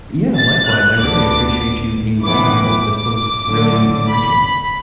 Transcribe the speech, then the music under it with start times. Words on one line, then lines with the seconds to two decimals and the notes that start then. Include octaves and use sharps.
Yeah, likewise, I really appreciate you being vulnerable, this was really enriching.
0.38 A6
0.69 F#6
1.00 D2 D3 B3 D4 D6
2.23 A2 E3 B3 E4 D6
2.54 D6
3.47 F#2 D3 A3
4.08 B5